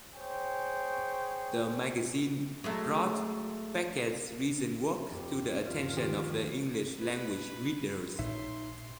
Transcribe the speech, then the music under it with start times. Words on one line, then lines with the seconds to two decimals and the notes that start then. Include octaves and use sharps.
The magazine brought Beckett's recent work to the attention of English-language readers.
0.14 G#4 C5 C#5 G5
2.64 F#3 G#3 A3
5.07 F2 G4
5.64 G1 D#2 F3 F4
5.97 D3 D#3 A3 G4
6.98 B4
8.19 A#1 D#4 C#5 E5 C6